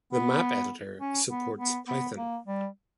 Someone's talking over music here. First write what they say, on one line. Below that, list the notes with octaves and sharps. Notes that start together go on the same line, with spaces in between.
The map editor supports Python.
B3
C#4
B3
B3
B3
A#3
G3